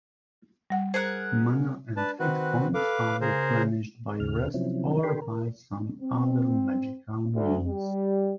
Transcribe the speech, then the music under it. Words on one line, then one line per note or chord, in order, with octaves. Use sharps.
Mana and hit points are replenished by rest or by some other magical means.
G3 F#5
G#4 A#4 C5 F#5
D4 B4 A5
D#3 C4 F#4 B4
A4 B4 F5 D6
C#3 G#4 A#4 C5
D#2 C#3 F6
C3 F3 F#3 C4 C#4 E4
D4 G4 A4 G5 B5 C6
A#4
C4
D2
G3